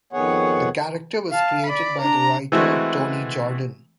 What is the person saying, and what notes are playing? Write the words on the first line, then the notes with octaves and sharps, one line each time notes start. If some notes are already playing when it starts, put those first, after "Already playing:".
The character was created by the writer, Tony Jordan.
F2 D#3 B3 G#4 C#5 F#5
F5 A5
D5 B5
D4 A#5
E3 G#3 A3 C4 E4 F#4